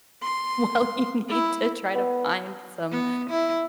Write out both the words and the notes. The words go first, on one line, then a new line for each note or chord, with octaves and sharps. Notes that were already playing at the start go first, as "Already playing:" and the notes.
"Well, you need to try to find some,
C6
E4
B3
B3
E4